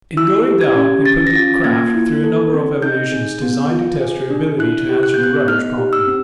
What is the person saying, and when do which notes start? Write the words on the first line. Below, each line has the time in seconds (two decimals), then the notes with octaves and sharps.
In going down, he put the craft through a number of evolutions designed to test her ability to answer the rudders promptly.
0.17 E4 E6
0.47 G4
0.61 G#6
0.76 C#4
1.05 C#4 A6
1.27 A#6
1.35 F4 A6
1.64 A#3 G#6
1.94 E4
2.24 A4
2.54 C4
2.82 D#4 G6
3.12 G#4
3.42 B3
3.71 F4
4.00 G#4
4.30 D4
4.59 E4 F#6
4.89 G4
5.03 F#6
5.14 B3 G6
5.23 F#6
5.48 D#4 F6
5.78 G4
5.93 E6
6.08 C4